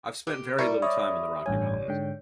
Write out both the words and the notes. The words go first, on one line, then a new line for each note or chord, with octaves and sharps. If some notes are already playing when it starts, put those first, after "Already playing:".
I've spent very little time in the Rocky Mountains.
G4
G3 E4 A#4 C#6
C#5 D5 E5 B5 D#6
A1 G2 C#5 G#5
G#2 D3 G5